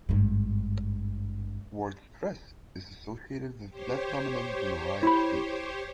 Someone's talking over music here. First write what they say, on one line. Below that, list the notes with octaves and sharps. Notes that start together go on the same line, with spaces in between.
Word stress is associated with left-dominant bimoraic feet.
G#1 G2
G4 C5 C#5
E4 B5